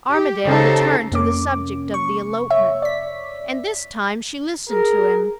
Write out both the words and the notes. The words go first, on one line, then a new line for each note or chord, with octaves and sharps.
Armadale returned to the subject of the elopement; and this time she listened to him.
G4
C#3 D#4 G4 A4 C5
F2 C3 A#3 C#4 D6
C#6
C#5 E5
D5 B6
G#4 A#4